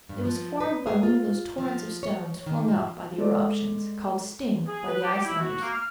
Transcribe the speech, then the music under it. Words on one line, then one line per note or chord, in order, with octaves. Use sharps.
It was formed by one of those torrents of stones flung up by the eruptions, called 'sting' by the Icelanders.
G2
F3
B4
G#4
F4
F3
C#5
D#3
F3
G#3 A4 D5
G#4
B4
G4
E4
F#4
A#3
F6